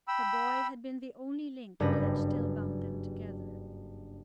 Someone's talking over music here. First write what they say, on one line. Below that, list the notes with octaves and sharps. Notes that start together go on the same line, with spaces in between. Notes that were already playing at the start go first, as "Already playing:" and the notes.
The boy had been the only link that had still bound them together.
G5 B5 E6
F#1 G2 G3 D4 B4 A#6